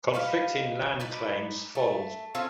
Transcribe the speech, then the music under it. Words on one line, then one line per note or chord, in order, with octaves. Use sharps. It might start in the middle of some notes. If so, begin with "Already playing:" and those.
Conflicting land claims followed.
G4 B4 D#5 F5
D#4 B4 D5
A3
A3 C4 C#4 F4